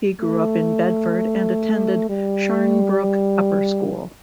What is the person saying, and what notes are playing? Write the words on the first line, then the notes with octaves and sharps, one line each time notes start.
He grew up in Bedford and attended Sharnbrook Upper School.
A3
G3